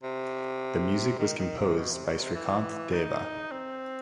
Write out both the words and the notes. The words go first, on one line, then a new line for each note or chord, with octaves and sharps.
The music was composed by Srikanth Deva.
C3
D#3
D#3
C3
B2
C3
B2
C3
E3
D#4
C4